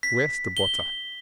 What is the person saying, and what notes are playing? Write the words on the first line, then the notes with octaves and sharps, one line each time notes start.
"Where's the butter?"
B6
G7